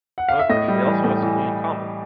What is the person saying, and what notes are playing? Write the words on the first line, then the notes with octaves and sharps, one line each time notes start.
However, they also have something in common.
F#5
F5
E5
A2 D#5
G3
E3
A2
E3